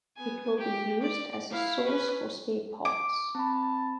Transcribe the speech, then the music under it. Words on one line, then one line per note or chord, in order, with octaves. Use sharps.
It will be used as a source for spare parts.
B3 G#5
G4
D5
E4 F5
C#4 B4
D6
C4 A5 B5